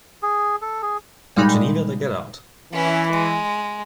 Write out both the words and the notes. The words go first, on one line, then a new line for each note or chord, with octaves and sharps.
At Geneva they get out.
G#4
A4
G#4
A#2 G3 G#3 D#4 B5
E3 C#4 E4
G#3